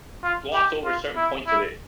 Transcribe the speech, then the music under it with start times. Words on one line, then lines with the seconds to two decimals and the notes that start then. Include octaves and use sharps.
gloss over certain points of it,
0.23 F4
0.54 G4
0.85 F4
1.16 E4
1.47 E4